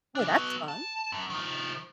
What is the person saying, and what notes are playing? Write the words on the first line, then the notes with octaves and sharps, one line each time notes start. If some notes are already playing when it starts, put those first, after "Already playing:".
Oh, that's fun.
C#3 D4
F#3 B3
A5
F#2
D#3 F3